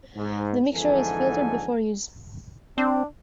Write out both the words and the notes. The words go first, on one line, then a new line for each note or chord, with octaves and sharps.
The mixture is filtered before use.
G#2
F2 G#2 D3 E3 A4 G#5
C4 D4